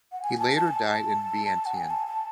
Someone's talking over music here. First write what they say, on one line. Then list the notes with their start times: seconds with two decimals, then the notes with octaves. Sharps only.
He later died in Vientiane.
0.12 F#5
0.22 G#5
0.39 A5
0.57 A5
0.68 G#5
0.74 A5
1.66 F#5
1.74 G#5
1.90 A5
2.07 A5